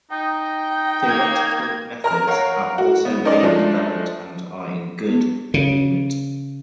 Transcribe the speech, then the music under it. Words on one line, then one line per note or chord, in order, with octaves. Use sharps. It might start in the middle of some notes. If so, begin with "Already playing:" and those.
Theoretical methods have also been developed and are in good agreement.
D#4 G5
A#3 G#6
A#4 A#5 F6
A#4 C#5 F5 F#5
F#4
B3
C#4 D#4 A#4 D5 D#5
F3 G#3 A3 D4
B3
C#3